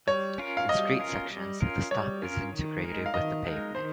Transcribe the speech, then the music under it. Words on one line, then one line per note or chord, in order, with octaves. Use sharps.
In street sections, the stop is integrated with the pavement.
G3 C#5
C#4 F4 A#4
F5
G3 D#5
C#4 F4 A#4
G3
C#4 F4 A#4
G3 C#5
C#4 F4 A#4
D#3
G#3 D#4 A#4
F5
D#3 D#5
G#3 D#4 A#4
D#3 C5